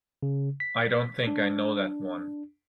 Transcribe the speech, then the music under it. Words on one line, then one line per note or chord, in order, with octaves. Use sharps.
I don't think I know that one.
C#3
B6
D4